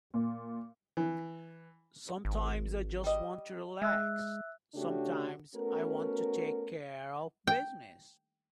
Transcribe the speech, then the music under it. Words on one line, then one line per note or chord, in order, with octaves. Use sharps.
Sometimes I just want to relax, sometimes I want to take care of business.
A#2
E3
G#1
G3 D#5
G#3 E5 E6 F#6
C#3 A3 C#4 D4 F#4 G4
A3 B3 C#4 F#4 A#4
G5